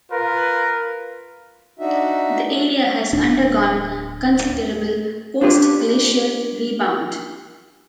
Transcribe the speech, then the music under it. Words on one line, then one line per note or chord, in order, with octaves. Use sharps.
The area has undergone considerable Post-glacial rebound.
F4 A#4 B4
D4 D#4 F#4 E5
D1 D4
D4 F4 G4 B4